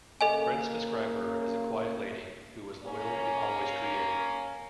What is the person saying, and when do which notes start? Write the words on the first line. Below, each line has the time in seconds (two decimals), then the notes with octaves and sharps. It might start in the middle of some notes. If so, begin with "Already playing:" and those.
Friends describe her as a quiet lady who was loyal and always creating.
0.21 C#3 A#3 A4 D#5 G#5
2.83 A#3 C#4